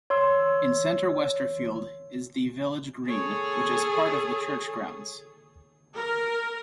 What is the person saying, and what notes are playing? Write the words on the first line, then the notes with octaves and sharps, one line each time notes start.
In central Westerfield is the village green, which is part of the church grounds.
C#5 C6 E6
G#4 A4 C#5
A#4